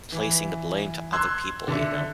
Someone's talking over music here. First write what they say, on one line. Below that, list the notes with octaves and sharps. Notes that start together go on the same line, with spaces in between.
placing the blame to other people, you know?
E3
C6 E6 F#6 G#6
D3 E5